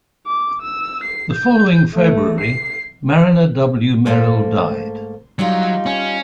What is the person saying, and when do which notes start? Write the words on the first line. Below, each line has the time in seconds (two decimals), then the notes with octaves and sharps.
The following February, Marriner W. Merrill died.
0.27 D6
0.63 E6
1.04 C7
1.34 G6
1.95 A3
2.41 C7
4.06 G#2 A3 A#3
5.39 F#3 G3 D#4 F4
5.86 C#4